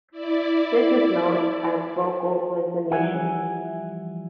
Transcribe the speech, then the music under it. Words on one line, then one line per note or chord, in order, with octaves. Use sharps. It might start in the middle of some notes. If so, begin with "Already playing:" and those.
This is known as vocal resonation.
E4 D5
E3 F3 G3 E5 F#5 G#5